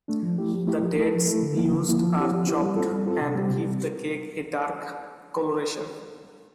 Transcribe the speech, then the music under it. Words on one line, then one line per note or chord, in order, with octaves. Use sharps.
The dates used are chopped, and give the cake a dark coloration.
A3 D4
F3
A3 E4 G4
F3
A3 E4 G4
F3
A3 E4 A4
F3
A3 E4 A4
D3
F3 A#3 E4
D3
F3 A#3 E4
F3
C4 E4 G4
F3
C4 E4 G4
G3
C4 F4 A4
G3
C4 F4 A4
C3
G3 C4 G4
C3
G3